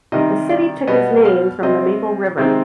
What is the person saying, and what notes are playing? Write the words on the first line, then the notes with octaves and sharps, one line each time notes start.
The city took its name from the Maple River.
C3 D#3 G3 D#5
D5
B2 G3 B3 D#5
F5
C3 G3 C4 D#5
C3 D#3 G#3 C4